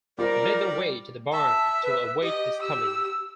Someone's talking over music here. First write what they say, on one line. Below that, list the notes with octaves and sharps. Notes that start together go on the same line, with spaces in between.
They made their way to the barn to await his coming.
G3 F4 A#4 C5 D5
E5 A5
B4
G4 D#5
E6